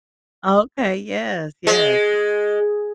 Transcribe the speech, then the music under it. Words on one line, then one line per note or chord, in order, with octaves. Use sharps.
Oh, okay, yes, yes, becau
G#3